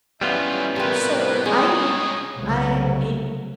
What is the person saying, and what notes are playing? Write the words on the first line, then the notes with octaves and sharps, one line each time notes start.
So, I eat I eat
B1 A2 G3 B3 C#4 E4 F4
A2 C3 C4 A#4 B4
G#3 A#3 G#4 C#5 D#6
C2 C#3 F#3 A3